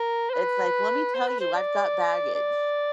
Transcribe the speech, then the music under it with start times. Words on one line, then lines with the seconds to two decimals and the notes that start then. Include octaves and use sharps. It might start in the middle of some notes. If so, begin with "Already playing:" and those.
it's like, "Let me tell you, I've got baggage,"
Already playing: A#4
0.29 C5
0.34 B4
1.14 C5
1.28 B4
1.40 C5
1.54 D5
2.35 D5